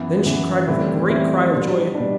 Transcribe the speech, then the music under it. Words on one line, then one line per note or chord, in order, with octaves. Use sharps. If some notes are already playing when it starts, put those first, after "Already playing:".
Then she cried with a great cry of joy.
Already playing: F#2 E3 B3
F#2 E3 B3
A2 E3 G3 C4 E4
A2 E3 G3 C4 E4
B2 G3 D4
B2 G3 D4